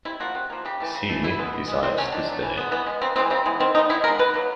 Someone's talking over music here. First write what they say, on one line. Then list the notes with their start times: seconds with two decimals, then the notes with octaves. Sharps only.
She decides to stay.
0.05 C3 E4
0.20 F3 A#3 F#4
0.35 C3
0.50 F3 A#3
0.65 C#3 G4
0.80 E3 A3
0.94 C#3
1.09 E3 A3
1.24 B2 E4
1.39 G#3 B3
1.53 B2
1.68 G#3 B3
1.83 D#3 C4
1.97 F#3 A3 C#4
2.12 D#3 D4
2.27 F#3 A3
2.43 E3
2.57 G#3 B3
2.71 E3 B3
2.87 G#3 B3
3.02 C#3 C4
3.15 E3 G#3 B3 C4
3.30 C#3 C4
3.46 E3 G#3 B3
3.60 D#3 C4
3.75 G#3 B3 D#4
3.89 D#3 E4
4.04 G#3 B3 A#4
4.19 B2 B4
4.34 F#3 A#3